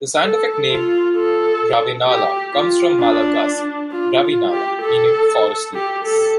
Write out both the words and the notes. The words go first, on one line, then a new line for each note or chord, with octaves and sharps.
The scientific name "Ravenala" comes from Malagasy "ravinala" meaning "forest leaves".
A4
F4
A4
G4
F4
D4
F4
F4
G4
A4
G4
A4